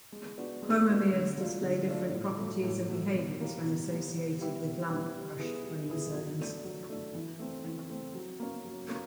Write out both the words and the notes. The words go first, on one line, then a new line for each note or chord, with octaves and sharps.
Chromomeres display different properties and behaviours when associated with lampbrush chromosomes.
G#3
B3 D4 F#4
G#3
B3 D4 F#4
D3
F#3 A3 D4 F4
D3
F#3 A3 D4 F4
A2
F#3 A3
A2
F#3 A3
B2
G3 A#3
B2
G3 A#3
B2
G3 B3 E4 G4
B2
G3 B3 E4 G4
G3
B3 E4 G#4
G3
B3 E4 G#4
F#3
A3 D4
F#3
A3 D4
E3
A3 C4
E3
A3 C4
F#3
A#3 C#4
F#3
A#3 C#4